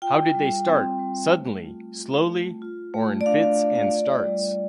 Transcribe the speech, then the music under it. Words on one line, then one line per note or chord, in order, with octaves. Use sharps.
How did they start, suddenly, slowly or in fits and starts?
F4 G5
G3
C4
G3
A3
F4
F4
A3
F4
A3
D5
D4 F5
F5
A3
F5
F4 D5
G3